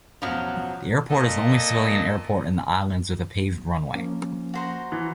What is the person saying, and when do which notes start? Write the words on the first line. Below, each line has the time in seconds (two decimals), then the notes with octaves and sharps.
The airport is the only civilian airport in the islands with a paved runway.
0.22 E1 A1 E2 F3 F#3
1.09 A#2 A4 D#5
3.95 F3 A#3 C#4
4.54 F#4 C5 A#5
4.92 E3